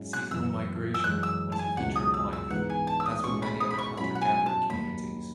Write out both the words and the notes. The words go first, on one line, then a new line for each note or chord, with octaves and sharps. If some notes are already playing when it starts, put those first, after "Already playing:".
Seasonal migration was a feature of life, as with many other hunter-gatherer communities.
Already playing: G#2 F#3 C#4 E4
F#6
F#2 E3 B3 E4 E6
E6
F#2 E3 G#3 F#6
E6
A5
G#5
C#2 B2 F#3 C#4 E4 F#5
D#6
E6
E6
G#2 E3 B3 D#4 F#5
G#5
A5
E6
D#6
B2 G#3 C#4 E4 C#6
B5
D#6
B5
C#6
B2 F#3 C#4 E4 B5
F#5
G#5
A5
D#2 D#3 F#3 B5